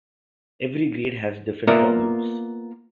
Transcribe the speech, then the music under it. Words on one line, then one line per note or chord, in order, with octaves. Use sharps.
Every grade has different problems.
A#3 B3 F4 A#4 D5 E5